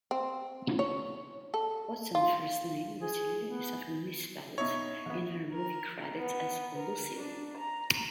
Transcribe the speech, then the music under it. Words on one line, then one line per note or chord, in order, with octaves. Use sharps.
Watson's first name, Lucile, is often misspelled in her movie credits as Lucille.
C4
C#5
A4
F4
G#4
B3
B2 D#4 E4 C#5
A#1 B3
A#4
B3
A#4
D4
A#5